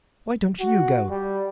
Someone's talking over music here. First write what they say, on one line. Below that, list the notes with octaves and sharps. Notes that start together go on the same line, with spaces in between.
Why don't you go?
F#4
G3